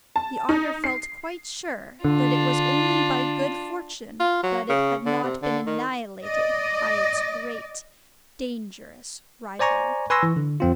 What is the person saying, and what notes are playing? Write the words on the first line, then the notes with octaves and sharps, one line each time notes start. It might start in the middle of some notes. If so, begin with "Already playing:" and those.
The otter felt quite sure that it was only by good fortune that it had not been annihilated by its great, dangerous rival.
A5
D#4
C7
D3 D4 F4
F4
F#3
C#3
D3
C3
D3
D#3
D5 D#5
C5 D5 G#5 A#5 C#6
B4 G#5 C6 C#6 E6 A#6
E3
D3
F2 C4 F4